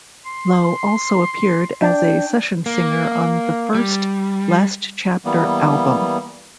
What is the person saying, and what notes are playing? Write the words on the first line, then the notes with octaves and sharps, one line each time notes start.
Lowe also appeared as a session singer on the first Last Chapter album.
C6
D4 G5
A#3
G3
E3 G3 A#3 B3